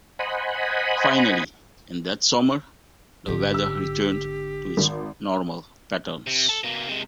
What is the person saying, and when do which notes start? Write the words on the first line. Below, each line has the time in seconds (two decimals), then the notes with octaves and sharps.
Finally, in that summer, the weather returned to its normal patterns.
0.19 C5 D#5 F#5 G#5 B5
3.26 G#1 D3 G4
3.54 E6
4.77 G#1
6.27 C3
6.49 A4
6.64 B2 A#3
6.88 C3 G#3